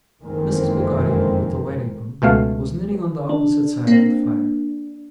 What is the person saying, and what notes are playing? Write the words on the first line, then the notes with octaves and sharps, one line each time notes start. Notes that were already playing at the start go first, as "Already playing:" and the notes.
Mrs. Peggotty with the white apron, was knitting on the opposite side of the fire.
F#1 F2 D#3 E3 G#3 C4
C#2 B2 A3 F5
D4
A#3 C4